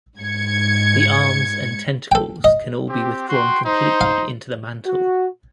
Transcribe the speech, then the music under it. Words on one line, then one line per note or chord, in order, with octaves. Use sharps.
The arms and tentacles can all be withdrawn completely into the mantle.
G#2 G#6 C#7
A4 G5
D#5
C4 G4
F#4 G5 C6
D#4 C5
F5
F#4